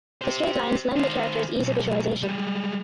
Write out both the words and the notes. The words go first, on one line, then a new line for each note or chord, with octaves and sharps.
The straight lines lend the characters ease of visualization.
G4 C5
D#3 C5
B1
G3 G#3